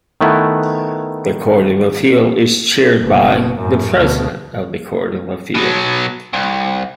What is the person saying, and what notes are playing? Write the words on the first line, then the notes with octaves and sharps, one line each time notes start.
The Court of Appeal is chaired by the President of the Court of Appeal.
D#3 A3 B3 E4 B4
F#1 B2
F#2 A2
D2 B2
B2 F#3
C2